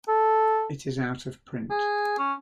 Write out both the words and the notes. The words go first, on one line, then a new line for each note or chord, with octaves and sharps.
It is out of print.
A4
G#4
C#4